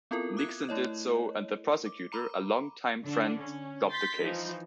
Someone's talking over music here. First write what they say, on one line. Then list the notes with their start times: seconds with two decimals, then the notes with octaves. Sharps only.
Nixon did so, and the prosecutor, a long-time friend, dropped the case.
0.11 B3 C4 E4 F4 A4 A#4
0.37 D6 D#6 F#6 G#6
0.69 A3 E4 C#5 D#5
1.86 D6
2.12 A#5 B5 D6
3.03 D3 D4
3.39 C#4
3.89 C6 G6 A6 B6
4.22 E3 F3 D#4